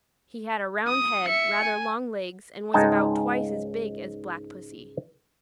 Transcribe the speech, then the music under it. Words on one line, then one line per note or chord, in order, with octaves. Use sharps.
He had a round head, rather long legs, and was about twice as big as Black Pussy.
D#6
E5 C#7
G#5
C#2 G#2 G#3 D#4 G5 A5